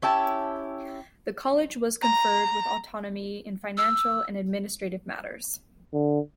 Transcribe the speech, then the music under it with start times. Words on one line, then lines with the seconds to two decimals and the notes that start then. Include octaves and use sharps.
The college was conferred with autonomy in financial and administrative matters.
0.02 C#4 E4 G4 A5
2.03 A#5
3.78 E6
5.94 D3